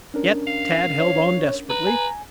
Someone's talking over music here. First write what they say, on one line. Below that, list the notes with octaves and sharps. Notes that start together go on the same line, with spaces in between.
Yet Tad held on desperately.
C#4 D4 A#4
F5
C#5
B4 A#5
G#5